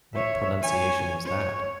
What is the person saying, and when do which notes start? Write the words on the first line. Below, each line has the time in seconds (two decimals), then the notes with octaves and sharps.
What pronunciation was that?
0.14 C#5 E5
0.62 C#5 G#5
1.26 C#5